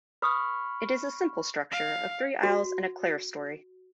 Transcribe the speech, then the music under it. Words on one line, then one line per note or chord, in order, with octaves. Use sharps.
It is a simple structure of three aisles and a clerestory.
B4 B5 C#6 D#6 F6
F5
F#4